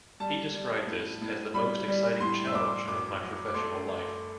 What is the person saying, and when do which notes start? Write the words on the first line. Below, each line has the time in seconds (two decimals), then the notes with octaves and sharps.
He described this as "the most exciting challenge of my professional life".
0.20 G3 A5
0.54 G3
0.87 A2
1.21 A2
1.54 G3 B5
1.88 G3
2.20 A2 C6
2.47 E6
2.54 A2 D6
2.88 F#2 D6
3.21 F#3
3.48 D6
3.54 A3 C6
3.89 F#2